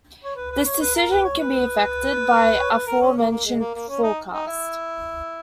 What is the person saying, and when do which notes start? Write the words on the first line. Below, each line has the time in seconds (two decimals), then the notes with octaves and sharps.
This decision can be affected by aforementioned forecast.
0.24 C#5
0.36 B4
0.51 B4
0.65 C#5
0.81 B4
0.95 A#4
1.10 B4
1.24 C#5
1.39 B4
2.58 C#5
2.71 B4
2.86 A#4
3.01 C#4
3.16 A#3
3.30 A#3
3.45 G#3
3.59 A#3
3.74 A#3
3.88 C#4
4.03 D#4
4.32 D#4
4.47 E4